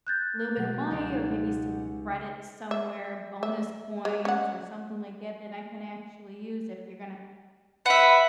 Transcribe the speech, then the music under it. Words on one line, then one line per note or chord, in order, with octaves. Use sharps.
little bit of money or give me some credit somewhere, bonus points, or something like that that I can actually use if you're gonna,
F#6 G6 A6
B2 F#3 F#5
C#2 D#4 G4
E5
E5
G#3
C#4 F#5
B4 E5 F#5